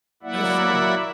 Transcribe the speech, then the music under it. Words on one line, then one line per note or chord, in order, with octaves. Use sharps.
That's true.
F#3 A#3 E4 D5 E5 F#5